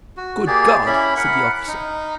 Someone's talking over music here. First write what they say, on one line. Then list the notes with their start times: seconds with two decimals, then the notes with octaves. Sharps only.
"Good God!" said the officer.
0.17 F#4
0.47 A#3 G4 G#4 D5
0.86 C#4 E4 B5
1.17 A#4 F#5 B5
1.67 D#4